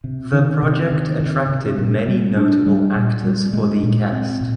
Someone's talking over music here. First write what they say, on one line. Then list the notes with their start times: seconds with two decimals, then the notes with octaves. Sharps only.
The project attracted many notable actors for the cast.
0.04 C3
0.32 D#3
0.62 C3
0.91 D#3
1.20 C3
1.49 C3
1.78 A#2
2.08 G3
2.37 D4
2.66 G3
2.96 A#2
3.24 G3
3.53 G#3
3.83 A#2
4.12 C4
4.41 A#2